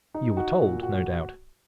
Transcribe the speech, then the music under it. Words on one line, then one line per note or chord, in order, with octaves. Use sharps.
"You were told, no doubt."
D#4
F#4
A#2
F#4